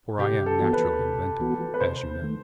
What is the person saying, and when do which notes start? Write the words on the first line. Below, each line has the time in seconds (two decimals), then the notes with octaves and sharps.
For I am naturally inventive, as you know.
0.18 C3 G4
0.46 A4
0.59 E3 B3 F#4
0.73 B4
0.99 C3
1.40 E3 B3 F#4
1.74 B4
1.80 C3 C5
2.22 D#3 A3